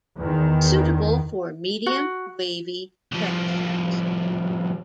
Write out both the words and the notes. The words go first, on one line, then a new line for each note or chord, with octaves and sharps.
Suitable for medium wavy textures.
E2 D#3
F#4
C2 F3